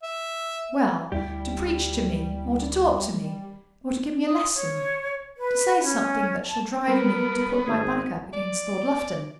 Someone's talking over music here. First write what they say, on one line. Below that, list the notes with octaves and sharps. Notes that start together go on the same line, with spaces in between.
"Well, to preach to me, or to talk to me, or to give me a lesson; to say something that shall drive me to put my back up against Lord Lufton?"
E5
D2 G3 E4 G4
D#6
C#5
B4
C#4
A5
G3 B3 A#4
G#1 G#4
D5